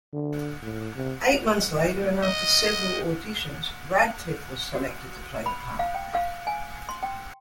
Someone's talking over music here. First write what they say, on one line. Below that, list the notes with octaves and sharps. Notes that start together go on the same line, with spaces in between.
Eight months later, and after several auditions, Radcliffe was selected to play the part.
D3
A2
C3
D#5
F#4
B5
F5
G5
F5
G#5
C6
G5